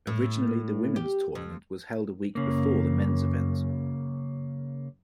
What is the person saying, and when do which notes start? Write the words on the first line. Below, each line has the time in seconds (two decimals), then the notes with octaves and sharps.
Originally the women's tournament was held a week before the men's event.
0.07 A2
0.96 G4
1.35 F2
2.35 F#2 C#3 A#3